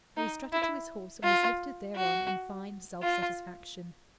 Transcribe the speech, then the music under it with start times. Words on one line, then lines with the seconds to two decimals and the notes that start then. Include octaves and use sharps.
So he strutted to his horse, and was lifted thereon in fine self-satisfaction.
0.17 D#4
0.53 E4
1.24 F4
1.96 F#4
3.02 F4